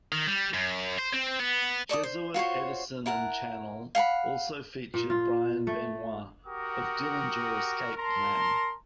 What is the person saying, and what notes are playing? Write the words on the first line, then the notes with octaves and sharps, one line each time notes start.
Jesuit, Edison, and Channel also featured Brian Benoit of Dillinger Escape Plan.
D#3
G3
F#2
C5
C4
B3
A4 D5 C#6 D#6
C5
F4 F#4 C5 C#5
E4 A#4 F#5 A5
F5 F#5 A5 B5
A#2
F4
A3
F#4 G4 A#4 F#5 D#6
A#4 A5 A#5 C6